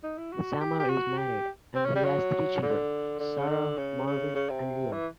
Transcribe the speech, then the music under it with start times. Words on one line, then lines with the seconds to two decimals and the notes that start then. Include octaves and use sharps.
Sammer is married and has three children, Sarah, Marvin, and Leon.
0.03 D#4
0.18 E4
0.32 F#4
0.61 G4
0.80 G4
0.89 F#4
1.18 G4
1.76 C4
1.85 C#4
1.95 G3
2.05 F#3
2.62 D3
3.19 D3
3.38 C#3
3.48 D3
3.78 C#3
4.07 C#3
4.35 C#3
4.50 C3
4.92 E3